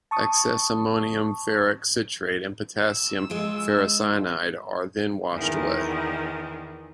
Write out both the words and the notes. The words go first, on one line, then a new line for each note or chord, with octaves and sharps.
Excess ammonium ferric citrate and potassium ferricyanide are then washed away.
A5 C#6 D#6
E6
G#3 F4
E2 D#3